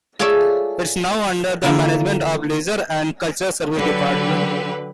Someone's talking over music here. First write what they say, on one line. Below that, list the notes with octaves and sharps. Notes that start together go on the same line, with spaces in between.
It is now under the management of the Leisure and Cultural Service Department.
F4 G#4 A4 C#5 D5 E5
D3 A#3 E4 F4
D3 F#3 G4 B4